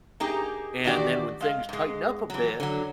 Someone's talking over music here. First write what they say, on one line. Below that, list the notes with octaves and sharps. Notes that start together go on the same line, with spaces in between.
and then when things tighten up a bit,
A#3 D#4 G4 G#4
E2 D#3 D4 F#4 G4 D5
G#3 F5
G#2 G#3
E3 F#3
D3 F#3